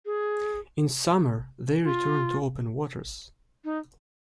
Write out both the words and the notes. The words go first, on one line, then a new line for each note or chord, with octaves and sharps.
In summer, they return to open waters.
G#4
F4
D#4